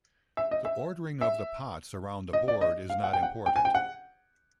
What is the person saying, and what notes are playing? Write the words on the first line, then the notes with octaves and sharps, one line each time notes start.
The ordering of the pots around the board is not important.
E5
D#5
E5
E5
D#5
D5
D#5
F5
F#5
G5
F#5
G5
G#5
G5
F#5